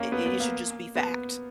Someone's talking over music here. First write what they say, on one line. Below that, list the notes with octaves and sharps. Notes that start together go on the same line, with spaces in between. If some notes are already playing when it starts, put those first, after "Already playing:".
i i it should just be fact,
Already playing: A#3 C#4
B3
B3
A#3
B3